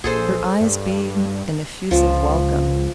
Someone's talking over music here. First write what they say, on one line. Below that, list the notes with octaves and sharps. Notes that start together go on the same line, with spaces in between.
Her eyes beamed an effusive welcome.
A#1 G#4 A4 C5
G2
C#2 F3